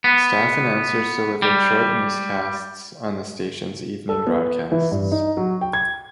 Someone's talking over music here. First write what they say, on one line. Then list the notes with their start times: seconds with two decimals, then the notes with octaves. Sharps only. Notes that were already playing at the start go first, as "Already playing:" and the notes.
Staff announcers delivered short newscasts on the station's evening broadcasts.
0.04 B3
1.42 G3
4.09 A4
4.27 B3
4.72 E3
4.92 G2
5.12 D#4
5.37 F#3
5.61 G5
5.73 G#6